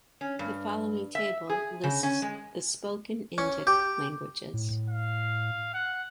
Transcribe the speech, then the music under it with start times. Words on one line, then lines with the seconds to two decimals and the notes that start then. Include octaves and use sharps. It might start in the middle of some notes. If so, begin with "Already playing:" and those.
The following table lists the spoken Indic languages.
0.21 C#4
0.39 G2
1.15 E5
1.50 G#4
1.84 C#3
2.03 C#4
2.22 G#3
3.38 C#4
3.67 G4
4.53 A2
4.90 F5
5.74 F#5